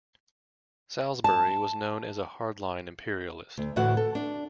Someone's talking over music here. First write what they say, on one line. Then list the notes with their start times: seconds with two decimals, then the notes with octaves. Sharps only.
Salisbury was known as a hardline imperialist.
1.24 A5
3.58 D2
3.76 D2 A2 E3 F#4 F#5
3.97 A4
4.15 D4